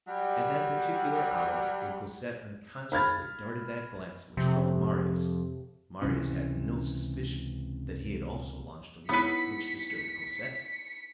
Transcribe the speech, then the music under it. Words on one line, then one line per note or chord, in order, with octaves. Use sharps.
At that particular hour when Cosette unconsciously darted that glance which troubled Marius, Marius had no suspicion that he had also launched a look which disturbed Cosette.
F#3 G3
B5 F6 G#6 A6
F2 C3
C#2 C3 E3 C#4
B3 D#4 E4 B4 C#5 B6 C#7